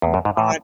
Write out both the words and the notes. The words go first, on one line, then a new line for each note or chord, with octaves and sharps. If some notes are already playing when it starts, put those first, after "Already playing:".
Oh god,
E2
F#2
G#2
A2